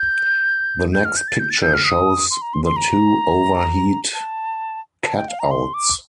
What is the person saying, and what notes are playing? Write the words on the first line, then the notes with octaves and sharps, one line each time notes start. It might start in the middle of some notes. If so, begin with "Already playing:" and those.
The next picture shows the two overheat cutouts.
Already playing: G6
G6
F6
G6
A6
G6
A6
G6
F6
D#6
C6
A#5
C6
C6
A#5
A5
A5
G5
F5
A#5
C6
D6